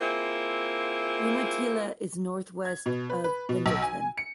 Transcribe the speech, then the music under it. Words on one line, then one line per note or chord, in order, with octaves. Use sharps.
Umatilla is northwest of Pendleton.
A#3 C4 E4 F4 G#4
G#6
B2
B4
B4
B2
B1
G#5
C#7